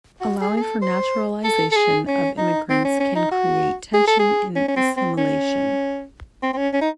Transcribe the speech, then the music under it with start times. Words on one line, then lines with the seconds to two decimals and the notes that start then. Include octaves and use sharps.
Allowing for naturalization of immigrants can create tension in assimilation.
0.21 F#4
0.41 G#4
0.57 G#4
0.62 A4
0.82 C5
1.44 A4
1.72 A4
1.76 G#4
2.08 C#4
2.38 D#4
2.70 C4
2.85 C#4
3.00 C#4
3.16 D#4
3.31 F#4
3.94 G#4
4.07 A4
4.19 G#4
4.56 C#4
4.68 C#4
4.76 C4
4.97 C4
5.17 C#4
6.43 C4
6.54 C4
6.57 C#4
6.74 C#4
6.81 D#4